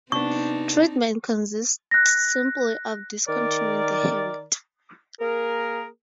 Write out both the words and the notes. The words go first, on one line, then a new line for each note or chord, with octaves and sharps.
Treatment consists simply of discontinuing the habit.
C3 B3 C4 D4 D#4 C#6
F#6 A#6
D#3 A#4 D5
A#3 G#4 A#4